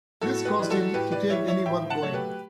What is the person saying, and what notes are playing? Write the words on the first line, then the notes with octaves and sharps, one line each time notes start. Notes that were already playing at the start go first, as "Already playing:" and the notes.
This caused him to take any work going.
A2 F#4 A4
G4 B4
E3 G3
F#4 A4
A2 G4 B4
B4 D5
E3 G3 C#5 E5
C#5 E5
A2 E5 G5
F#5 A5
F#3 A3 C#5
G4 B4